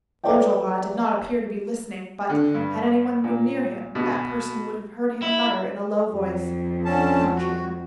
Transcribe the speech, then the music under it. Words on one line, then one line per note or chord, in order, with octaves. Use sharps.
Enjolras did not appear to be listening, but had any one been near him, that person would have heard him mutter in a low voice: "Patria."
A4 B4 C#5 D5 E5 G5
D3
G2
A#2
B2
E4
F2
D3 C#4 A5
F#4